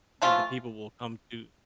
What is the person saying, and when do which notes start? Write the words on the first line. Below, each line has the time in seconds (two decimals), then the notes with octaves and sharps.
Then the people will come to
0.22 E3 F3 A3 F4